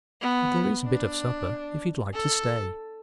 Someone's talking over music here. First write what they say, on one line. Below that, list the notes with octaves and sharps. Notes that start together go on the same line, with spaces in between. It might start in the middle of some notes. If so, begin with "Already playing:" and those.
But there is a bit of supper, if you like to stay.
B3
D4
A4